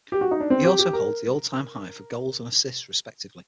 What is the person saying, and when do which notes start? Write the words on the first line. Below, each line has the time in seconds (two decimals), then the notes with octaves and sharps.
He also holds the all-time high for goals and assists respectively.
0.12 G4
0.21 F#4
0.31 D#4
0.40 D4
0.50 C4
0.64 G4
0.79 G4
0.93 A#4